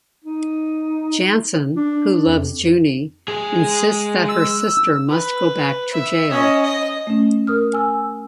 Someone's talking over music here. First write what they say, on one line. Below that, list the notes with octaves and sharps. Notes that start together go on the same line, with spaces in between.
Jansen, who loves June, insists that her sister must go back to jail.
D#4
D4
F2
G#3 G#4
E6
B4
E5
C#4 D#5
D#5
A3 C#4
A#4 D#6 F6
G#5 E6